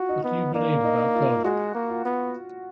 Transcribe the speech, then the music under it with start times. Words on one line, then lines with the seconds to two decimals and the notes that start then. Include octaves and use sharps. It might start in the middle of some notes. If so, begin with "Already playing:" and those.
What do you believe about God?
Already playing: F4 F#4
0.09 D#4
0.24 B3
0.54 A#3 D4
0.84 D#4
1.15 F4
1.44 G#3 F#4
1.75 A#3
1.90 F4
2.05 B3